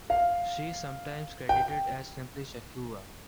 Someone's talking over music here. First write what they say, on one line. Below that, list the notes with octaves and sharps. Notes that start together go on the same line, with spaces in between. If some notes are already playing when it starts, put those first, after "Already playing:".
She is sometimes credited as simply Shakura.
F5
G5